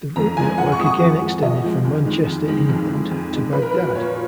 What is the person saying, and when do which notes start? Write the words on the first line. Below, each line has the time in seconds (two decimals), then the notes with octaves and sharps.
The route network again extended from Manchester, England, to Baghdad.
0.16 F2 A#5
0.37 F3 G#3 G#5
0.58 F2 F#5
0.72 C#6
0.79 F3 G#3 D#6
0.86 C#6
1.00 F2 F#5
1.21 F3 G#3
1.42 F2 D#5
1.63 F3 G#3
1.85 F2
2.06 D#3 G#3
2.27 F2
2.48 D#3 G#3
2.69 F2
2.90 D#3 G#3
3.11 F2
3.32 D#3 G#3
3.53 A#2 B4
3.62 A#4
3.71 F#3 B4
3.95 A#2 C#5